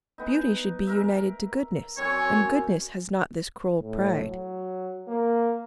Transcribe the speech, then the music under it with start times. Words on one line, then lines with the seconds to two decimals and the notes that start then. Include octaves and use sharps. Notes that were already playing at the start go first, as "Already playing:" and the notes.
Beauty should be united to goodness, and goodness has not this cruel pride.
0.18 B3 D#4
0.87 A#4 E5
1.97 F#2 C4 C#4 C#5
3.81 A2
4.29 F#3
5.08 A#3